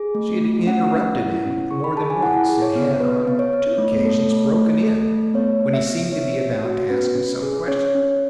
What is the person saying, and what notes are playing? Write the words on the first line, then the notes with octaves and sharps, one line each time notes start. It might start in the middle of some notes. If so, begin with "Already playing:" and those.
She had interrupted him more than once, and had on two occasions broken in when he seemed to be about to ask me some question.
Already playing: G#4
A3
A3
C#4 F#5
C#4
E4
C#4
G#4 C#6
B5
G#4 A5
G#5
E4 F#5
G#4
C#5
B3
B3 B4
B3
C#5
B3
A3
A4
A3
A3
A4
A3
B3 C#5
B3
E5
B3
B3 C#5
B3
F#4
C#4 B4
C#4
G#4
C#4 C#5
C#4